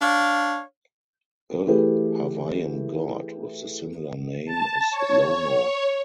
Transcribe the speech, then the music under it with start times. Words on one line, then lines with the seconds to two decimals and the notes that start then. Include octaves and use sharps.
A Hawaiian god with the similar name is Lono.
0.02 D4 C#5 F5
1.67 E3 A3 G4 G#4 B4
4.45 A5
4.91 C#5
5.20 C#5